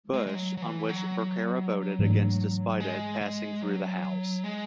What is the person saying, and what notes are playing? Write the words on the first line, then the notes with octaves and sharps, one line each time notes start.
Bush, on which Becerra voted against despite it passing through the House.
G#3
G#3
F#3
F#3
E3
F#3
G#2 E3 A3 D4
G#3
G#3
F#3
G#3